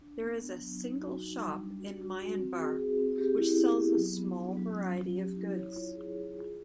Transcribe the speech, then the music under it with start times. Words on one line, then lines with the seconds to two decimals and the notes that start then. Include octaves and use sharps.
There is a single shop in Maianbar which sells a small variety of goods.
0.01 D4
0.21 B3
0.41 D4
0.60 F#3
0.81 D#4
1.01 F#4
1.20 D#4
1.40 G3
1.60 D4
1.79 F#4
1.99 F#4
2.19 F#4
2.39 C4
2.59 G#4
2.78 G#4
2.98 C4
3.18 G4
3.38 E4
3.58 B3
3.77 B3
3.97 F#3
4.17 B3
4.37 D4
4.57 F#3
4.77 C#4
4.96 C#4
5.16 G4
5.36 E4
5.56 C#5
5.76 F4
5.95 G#4
6.15 G#4
6.35 F4